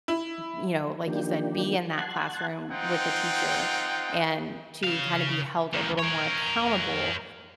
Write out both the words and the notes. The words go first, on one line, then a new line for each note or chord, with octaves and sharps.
you know, like you said, be in that classroom, with a teacher, and to kinda be held a little more accountable
E4
D#3 F3 A#3 D4 G4
F#5 A5 C6 F#6 G#6
C4 D#4 F4 F#5 G5
C#3 F5
C#2 D#3
A#4 C#5